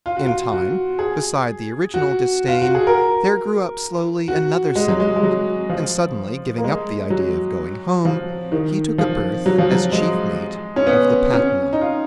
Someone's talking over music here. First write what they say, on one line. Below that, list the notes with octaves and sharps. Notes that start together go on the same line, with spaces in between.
In time, beside the original disdain there grew up slowly another sentiment; and suddenly, giving up the idea of going home, he took a berth as chief mate of the Patna.
F4
F#4
F4
F#4
G#4
F#4
F4
F#4
G#4
A#4
F#4
G#3
F#3
G#3
G#3
F#3
F3
A#3
G#3
F#3
F3
D#3
F3
F#3
F3
F#3
G#3
C#4
B3
C#4
D#4
F4